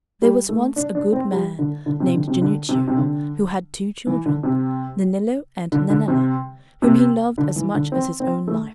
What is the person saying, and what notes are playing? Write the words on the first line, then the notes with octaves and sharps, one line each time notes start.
There was once a good man named Jannuccio, who had two children, Nennillo and Nennella, whom he loved as much as his own life.
G3
A3
D4
D4
C4
G3
D3
D3
C3
D3
C3
D3
C3
C3
D3
E3
D3
C3
D3
D3
C3
C3
D3
E3
D3
C4
C4
A3